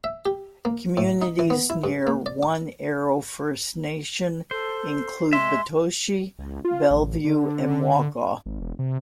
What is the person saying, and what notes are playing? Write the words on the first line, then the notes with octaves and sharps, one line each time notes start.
Communities near One Arrow First Nation include Batoche, Bellevue, and Wakaw.
E5
G4
A#3
A2
D#4
E3
B3
E4
G2
A#3
D5
D6
A4 C5
G#3 E5 C6
C#2
F4
A1
D3
G#1
E1
C3